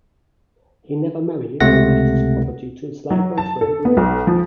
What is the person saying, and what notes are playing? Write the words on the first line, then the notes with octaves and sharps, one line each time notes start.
He never married and left his property to his lifelong friend Rev.
C#2 C3 A3 F#5 A#6
F#3
A5
A4
B3
B1
F3